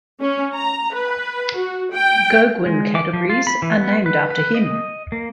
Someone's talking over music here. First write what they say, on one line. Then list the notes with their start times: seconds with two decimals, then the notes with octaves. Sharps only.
"Goguen categories" are named after him.
0.21 C#4
0.53 A#5
0.94 B4
1.55 F#4
1.93 G5
2.66 G#3
2.95 D6
3.13 F3
3.30 F4
3.47 B5
3.62 E3
3.78 B3
4.06 B4
4.31 B4
4.55 D#5
5.12 A#3